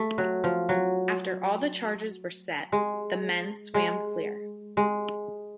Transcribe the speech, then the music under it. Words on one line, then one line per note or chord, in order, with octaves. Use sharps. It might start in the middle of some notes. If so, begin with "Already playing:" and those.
After all the charges were set, the men swam clear.
Already playing: A3
F#3
F3
F#3
G#3
G#3
G#3